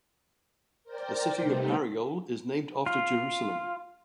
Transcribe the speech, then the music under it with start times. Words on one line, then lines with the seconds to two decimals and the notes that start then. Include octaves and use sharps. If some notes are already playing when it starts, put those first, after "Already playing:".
The city of Ariel is named after Jerusalem.
0.84 A#4 C5 D5 G5
1.39 C3 G3 A3 B3 C4 D#4
2.86 F4